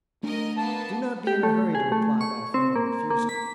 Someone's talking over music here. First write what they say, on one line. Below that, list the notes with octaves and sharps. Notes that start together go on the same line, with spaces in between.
Do not be in a hurry to reply by a formal refusal.
A3 D4 A#4 D#5
A#3 B3 A5
G4
A3
G#4
A3
C#6
C4
A#3
A#3
B6